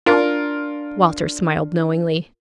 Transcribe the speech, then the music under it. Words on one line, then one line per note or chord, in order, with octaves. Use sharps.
Walter smiled knowingly.
D4 F4 A#4